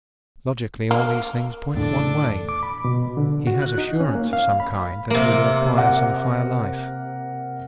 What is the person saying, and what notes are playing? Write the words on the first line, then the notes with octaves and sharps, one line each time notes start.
Logically all these things point one way! he has assurance of some kind that he will acquire some higher life.
A#3
E2 A2 D3 D4 A4
D6
B5
B2
D3
F#4
F#6
D#4
C#4
A#3
F5
B5
C3 A#3
A#4 F#5